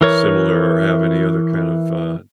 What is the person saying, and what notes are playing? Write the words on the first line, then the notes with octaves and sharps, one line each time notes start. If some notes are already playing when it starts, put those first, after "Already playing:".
similar, or have any other kind of, uh,
E3 A#4 C#5